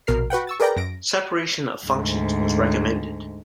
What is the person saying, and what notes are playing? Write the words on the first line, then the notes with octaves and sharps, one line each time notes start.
Separation of functions was recommended.
A#1 B2 A#4 F6 C7
F#4 B4 F#5 G5
C#6 E6 A6
G#4 A#4 B4 D5 G5 A#5
F#2 A#6 D7
D2 G#2